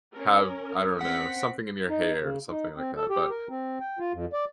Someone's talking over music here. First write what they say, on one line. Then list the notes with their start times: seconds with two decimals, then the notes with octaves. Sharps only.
have, I don't know, something in your hair or something like that, but
0.14 C#4 A#4
1.01 C4 F#5 B6
1.89 D#4
2.21 C#3
2.49 D#4
2.77 C4
2.96 A4
3.10 G4
3.30 A#4
3.50 C4
3.80 G5
3.99 F4
4.13 F2
4.33 D5